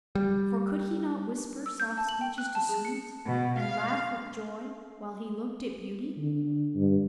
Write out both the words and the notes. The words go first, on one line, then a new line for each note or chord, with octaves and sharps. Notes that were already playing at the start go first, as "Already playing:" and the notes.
For could he not whisper soft speeches to Sweet, and laugh with Joy, while he looked at Beauty?
G3
E6
G6
A5
F#7
G5
F#6
A5
G#4
C#7
B2
F5
D3
G2